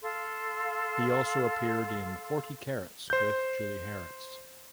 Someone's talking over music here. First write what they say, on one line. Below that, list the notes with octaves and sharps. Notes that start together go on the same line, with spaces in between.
He also appeared in "Forty Carats" with Julie Harris.
A4 F5 C6
C5 G6